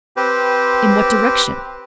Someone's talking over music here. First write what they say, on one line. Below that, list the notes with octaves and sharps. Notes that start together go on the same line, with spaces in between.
In what direction?
C4 G4 B4 C5